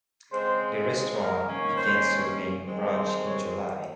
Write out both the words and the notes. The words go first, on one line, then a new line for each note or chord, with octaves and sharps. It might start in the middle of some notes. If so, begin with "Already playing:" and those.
The restaurant began serving brunch in July.
C#3 G#3 C4 C5
A#4
D#3 A#3 C#4
C5
D#3 G#3 C4
C5
C#5